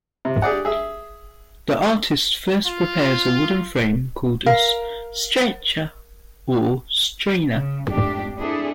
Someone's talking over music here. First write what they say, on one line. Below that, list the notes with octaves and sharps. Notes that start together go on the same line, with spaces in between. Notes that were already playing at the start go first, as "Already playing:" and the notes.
The artist first prepares a wooden frame called a "stretcher" or "strainer".
C3
G4 G#4 D5 F#5
G#4 E5
F4
A#4 F5
C#3
F2 G#2 A3 D4 G4
C4 D4 E4 G#4 A4